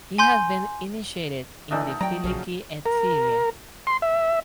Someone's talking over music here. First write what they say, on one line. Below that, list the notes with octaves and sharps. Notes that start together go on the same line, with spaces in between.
He had been initiated in the Filiki Eteria.
G#5 C6 G6
E3 A3 D4 D#4 F#4 D#5
F#3 D5 G5 A#5
A#1 C#3 F3 F#3
A#4
C6
E5